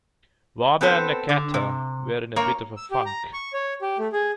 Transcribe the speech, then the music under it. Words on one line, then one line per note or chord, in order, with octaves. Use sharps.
Wada and Nakata were in a bit of a funk.
B3 C4 A4 B4 C5
D3
C3
A#3 A#4 C#5
E6
G4
A#5
C#6
C#5
G4
A3
G#4